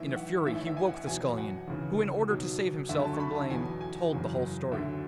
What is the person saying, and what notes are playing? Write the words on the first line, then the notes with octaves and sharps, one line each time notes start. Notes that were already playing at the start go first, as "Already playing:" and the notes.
In a fury he woke the Scullion, who in order to save himself from blame told the whole story.
Already playing: B1 A2 E3 E5
F#5
A1 A2 E3 E5
E5
G#5
F#5
E2 B2 F#3 G#5
F#5
D2 C#3 E3
B1 B2 F#3
D2 D3 F#3 E5
A5
C#6
B5
A5
E2 B2 F#3 G#5
G#5
F#1 E2 C#3 F#3
D2 D3 F#3 E5